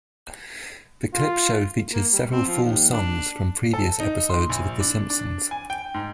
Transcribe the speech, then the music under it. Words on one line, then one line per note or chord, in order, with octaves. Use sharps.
The clip show features several full songs from previous episodes of "The Simpsons".
F4
A#3
G3
C4
F3
D#2
D4
A4
D#4
C6
A#1
D4
D4
G#5
G5
G#2